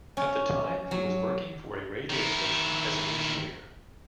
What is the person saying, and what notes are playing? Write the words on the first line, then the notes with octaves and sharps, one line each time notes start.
At the time he was working for a radio station as an engineer.
C#4
F#3
D#3 E4